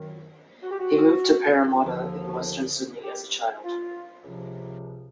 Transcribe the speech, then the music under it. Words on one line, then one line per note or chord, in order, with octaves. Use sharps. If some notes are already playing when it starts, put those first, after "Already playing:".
He moved to Parramatta, in western Sydney, as a child.
Already playing: F#2 D#3 F#3
F#4
G4
F#4
D#2 D3 F3
G4
F4
C#2 C3 F3